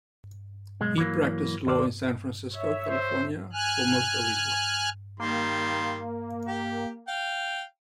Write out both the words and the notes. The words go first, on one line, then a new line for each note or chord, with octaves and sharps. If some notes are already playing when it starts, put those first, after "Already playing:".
He practiced law in San Francisco, California for most of his life.
B1 G#3
E3 F#3 A#3
D#2 C5 D5
C#5 E5
C5
G#5 F6 F#6
D#3 G3 A#3 C6
G4
F5 G5